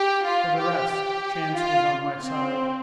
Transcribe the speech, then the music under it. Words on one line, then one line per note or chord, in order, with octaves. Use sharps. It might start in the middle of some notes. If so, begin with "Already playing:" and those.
For the rest, chance was on my side.
Already playing: G4
F4
G4
F4
C4